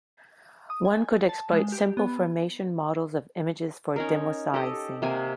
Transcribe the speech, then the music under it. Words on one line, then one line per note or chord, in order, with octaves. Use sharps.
One could exploit simple formation models of images for demosaicing.
D#6
G#5
A5
G#3
G4
B3
C#4 D#4 A#4
G4 A4 D#5
C3 A#3 G#5